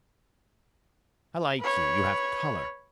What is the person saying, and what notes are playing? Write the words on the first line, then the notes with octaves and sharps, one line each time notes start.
I like you--you have color.
B4 C#5